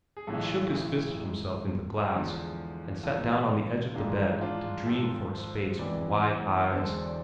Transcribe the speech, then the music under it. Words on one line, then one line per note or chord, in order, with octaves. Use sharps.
He shook his fist at himself in the glass, and sat down on the edge of the bed to dream for a space with wide eyes.
G#4
B1 A2 E3 G#3 F4 A4
E4 G#4
G#1 G#2 F3 G#3
E2 D3 F3 G#3
A1 G#2 F3 F4 A4
G#1 G#2 E3 G#3 D4 F4
D4 F4
G#1 G#2 F3 F4 A4
A4 C5
E1 E2 C3 E3 G#3 B4 D5
E1 E2 D3 G#3 A4 C5
D5